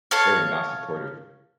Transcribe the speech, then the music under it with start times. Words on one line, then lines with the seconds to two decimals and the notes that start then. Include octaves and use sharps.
they were not supportive.
0.11 A4 C#5 F5